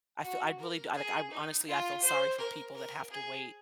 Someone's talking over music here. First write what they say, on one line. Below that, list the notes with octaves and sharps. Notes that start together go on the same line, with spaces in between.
I feel I really I don't like, honestly, I feel sorry for people that have to wait.
F#4
A#4
G#4
D#4
F4
C5
A#4
A#4
G#4